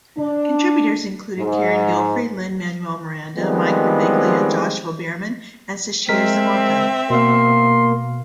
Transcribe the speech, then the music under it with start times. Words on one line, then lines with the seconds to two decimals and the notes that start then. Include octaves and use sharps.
Contributors included Carin Gilfry, Lin-Manuel Miranda, Mike Birbiglia, Joshua Bearman, and Sasheer Zamata.
0.18 D4
1.39 G#2
3.38 D#3 F3 G3 G#3 B3 C4
6.09 G#3 C4 A#4 E5 B6
7.10 B2 A#3 F5 C6